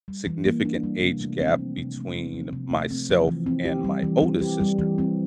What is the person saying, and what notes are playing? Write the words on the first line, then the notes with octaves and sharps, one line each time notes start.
significant age gap between myself and my oldest sister,
G3
E3
A#3
D4
G3
C3
A3
C4
F3
C3
A3
C4
F3
C3
A3
C4
F3
E3
C4
G4
G3
E3
C4
G4
G3
E3
C4